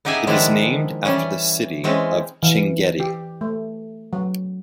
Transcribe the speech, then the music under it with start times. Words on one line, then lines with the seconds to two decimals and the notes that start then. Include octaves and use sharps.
It is named after the city of Chinguetti.
0.05 B3 D#4 G4 G#4 E5 G#5
0.27 D#3 F3 G#3 D4 E4
1.05 E3 G3 C#4
1.84 E3 G#3 C4 C#4
2.43 E3
3.00 G4
3.41 A3
4.13 F#3